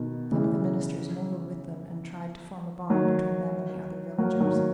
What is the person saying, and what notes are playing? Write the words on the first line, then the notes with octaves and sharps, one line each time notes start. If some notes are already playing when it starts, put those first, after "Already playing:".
Some of the ministers mingled with them, and tried to form a bond between them and the other villagers.
Already playing: B2 D#3
C#3 E3
D#3 F#3
F#3 A#3
D#3 F#3